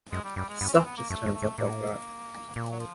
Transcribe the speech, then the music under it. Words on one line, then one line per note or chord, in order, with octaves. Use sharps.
Stuff just turns up like that.
F#2 G#3
G3
F#2 G3
G#3
G2 B3
C#4
C4
B3
A#3
F#2 A3
G2
A3
G#2
A2 A#3
A#2 A#3
F#3
F3